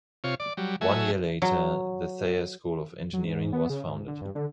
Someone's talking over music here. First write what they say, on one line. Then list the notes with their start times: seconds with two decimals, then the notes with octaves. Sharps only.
One year later, the Thayer School of Engineering was founded.
0.24 C3 F4 C#5
0.40 D5
0.57 F#3 G3
0.81 F#3 A3 E5 G#5
1.42 F#3
3.13 F#3
3.25 G#2
3.53 B3
3.70 C#3
3.87 G#2
4.08 D3
4.21 G2
4.35 D3